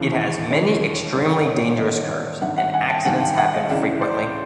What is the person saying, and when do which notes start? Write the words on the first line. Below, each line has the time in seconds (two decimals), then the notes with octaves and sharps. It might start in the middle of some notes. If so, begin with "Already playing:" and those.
It has many extremely dangerous curves, and accidents happen frequently.
Already playing: E1 D#2 C#3 E3
0.50 E1 D#2 C#3 E3 C#5 D#5
1.14 G#1 G2 D#3 C5 D5
1.46 C#5 D#5
1.78 G#1 G2 D#3 C#5 D#5
2.10 D5 E5
2.41 G#1 G2 D#3 E5 F#5
2.58 E5 F#5
2.74 F#5 G#5
2.90 G5 A5
3.05 G#1 G2 D#3 F#5 G#5
3.21 F5 G5
3.38 E5 F#5
3.53 D#5 F5
3.69 C#2 C#3 E3 D5 E5
4.01 C5 D5